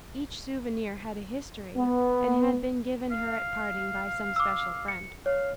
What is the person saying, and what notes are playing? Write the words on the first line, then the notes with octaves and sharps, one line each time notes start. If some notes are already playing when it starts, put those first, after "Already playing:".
Each souvenir had a history, and had been given her at parting by some special friend.
B3
F5
D6 E6
C#7
C#5 F5